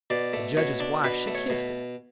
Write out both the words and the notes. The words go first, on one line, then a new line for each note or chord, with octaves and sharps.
The judge's wife she kissed it.
B2 D5
A3
B2 C#5
D4
B2 B4
A3
C#5
B2